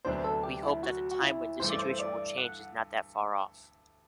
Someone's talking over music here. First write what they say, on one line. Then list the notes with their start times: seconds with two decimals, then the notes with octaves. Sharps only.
We hope that the time when this situation will change is not that far off.
0.05 D2 C3 F#3 B3 D4 C5
0.24 A4
0.44 G4
0.63 E4
0.83 F#4
1.11 F#4
1.21 E4
1.60 G2 E3 A3 C5
1.70 D5
1.79 C5
1.99 D5
2.38 F#5